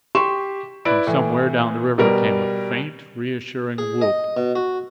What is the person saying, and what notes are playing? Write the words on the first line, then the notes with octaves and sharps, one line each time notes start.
And from somewhere down the river came a faint reassuring whoop.
G4 C6 C#6 E7
E4 B4 D5 D7
A2 E3
B2 G3 A#4
G#4
D#5
B2
F#4